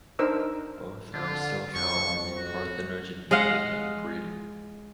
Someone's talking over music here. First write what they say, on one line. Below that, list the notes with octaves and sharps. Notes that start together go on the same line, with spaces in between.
Both are so far only parthenogenetically in breeding.
D4 D#4 A#4 C5 E6
D3 F4
F2 C#6
F#4
G#3 D#5 F5 F#5